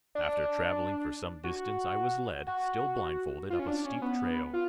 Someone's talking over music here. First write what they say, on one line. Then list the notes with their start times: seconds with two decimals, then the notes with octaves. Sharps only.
After traveling for some distance I was led, still blindfolded, up a steep trail.
0.15 D4
1.44 F#4
2.47 F#4
3.50 F4
3.59 C#4
3.67 D4
3.85 C#4
4.02 B3
4.53 F4